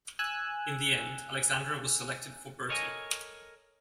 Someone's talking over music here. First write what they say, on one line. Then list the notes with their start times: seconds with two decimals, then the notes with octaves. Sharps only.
In the end, Alexandra was selected for Bertie.
0.19 G#5 E6 F#6
2.69 A4 A#4 C#5 D#5 F#5 G#5